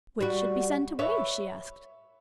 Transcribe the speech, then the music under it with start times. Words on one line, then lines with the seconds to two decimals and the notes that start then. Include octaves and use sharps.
"Which should be sent away?" she asked.
0.21 G3 F#4
0.99 B4 C#5 E5